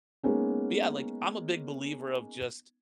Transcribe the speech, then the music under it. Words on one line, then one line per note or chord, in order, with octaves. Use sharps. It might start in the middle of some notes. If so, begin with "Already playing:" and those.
but yeah, like, I'm a big believer of just
G#3 A#3 B3 C#4 D#4